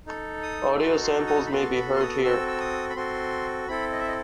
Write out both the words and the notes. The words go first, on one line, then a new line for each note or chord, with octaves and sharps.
Audio samples may be heard here.
D#4 A4
D#6
D#4 F#4 A4 C6
C6
D#6
B5
B3 F#4 A4 C6
B5
C6
D#6
C4 F#4 A4 E6
E6
D#6
B5
C4 F#4 A4 C6
C4 E4 A4 B5
D#5
E5
D#5